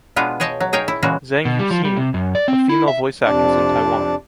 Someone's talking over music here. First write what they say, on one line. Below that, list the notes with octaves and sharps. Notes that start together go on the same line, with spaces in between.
Zheng Yuxin, female voice actress in Taiwan.
B2 G#3 B3 D4 F4
G#4 C#5 D#5 G5 A5
F#3
D#4 G#4 C#5 F5 G5
E4
A#2 C#3 E3 G#3 F#4
B2
G3
F3
G3
C3
F#2
D5
C4
E4
E5
F2 C3 D4 D5 A5